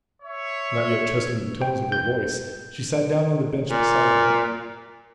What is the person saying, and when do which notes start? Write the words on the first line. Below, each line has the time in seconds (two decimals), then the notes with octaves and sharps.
Not yet trusting the tones of her voice, she sat down on the bench beside him.
0.22 C#5 E5
1.62 G5
1.92 G6
3.70 A#2